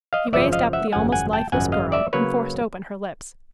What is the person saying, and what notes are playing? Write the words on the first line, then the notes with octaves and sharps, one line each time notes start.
He raised up the almost lifeless girl, and forced open her lips.
D#5 F5
G#1 F#2 C#3 F3 G#3 D5 E5
D#5 F5
E5 F#5
G#1 F#2 C#3 F3 G#3 F#5 G#5
F#5 G#5
G5 A5
G#1 F#2 C#3 F3 G#3 F#5 G#5
D#5 F5
D5 E5
C#3 F#3 A#3 B4 C#5